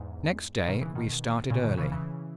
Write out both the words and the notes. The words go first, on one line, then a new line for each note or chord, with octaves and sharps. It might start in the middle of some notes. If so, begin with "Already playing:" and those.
Next day we started early.
Already playing: E2 G#2
B2 D#3
C#3 E3
B2 D#3
A#2 C#3
B2 D#3
C#3 E3
C#3 E3